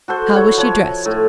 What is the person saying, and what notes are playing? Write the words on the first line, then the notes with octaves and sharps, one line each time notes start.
"How was she dressed?"
F#4 A4 C5
E4 C#5 F#5
F3 C#5
A2